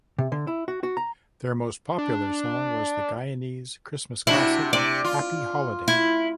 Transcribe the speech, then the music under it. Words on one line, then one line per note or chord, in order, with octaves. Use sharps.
Their most popular song was the Guyanese Christmas classic "Happy Holiday".
C3
D3
E4
F#4
F#4
A#5
D4
C3 D4 E4 F#4
C3 D5
F4
E4